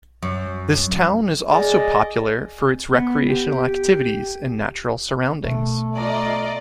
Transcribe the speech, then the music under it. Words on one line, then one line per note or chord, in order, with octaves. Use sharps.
This town is also popular for its recreational activities and natural surroundings.
F#2
G#4 D5 D#5
B3
G4
B2 A3
F4 D5 D#5 A#5